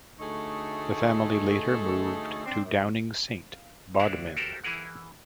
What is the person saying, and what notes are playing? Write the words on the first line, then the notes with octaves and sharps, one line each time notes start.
The family later moved to Downing Saint, Bodmin.
D2 A3 D#4 G#4 A4 C#5
C4 D4
F#2
F5
D2 D4 E4 F#4 D5 F5
F#4 G4 A4 A#4 C5
E3 E4 G#4 A#4 F#5